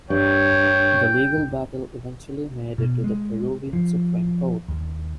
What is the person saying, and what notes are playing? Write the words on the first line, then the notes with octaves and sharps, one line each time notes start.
The legal battle eventually made it to the Peruvian Supreme Court.
G2 C#5 G5
B2
G#3
F3
D#2